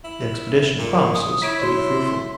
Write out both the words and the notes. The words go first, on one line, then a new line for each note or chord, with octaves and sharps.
The expedition promises to be fruitful.
E4
A#2
D#6
E4 C#5 B6 D7
F#4 C#5 C6